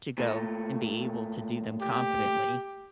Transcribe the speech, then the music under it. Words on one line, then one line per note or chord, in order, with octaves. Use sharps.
to go and be able to do them competently.
A#2 A3
G4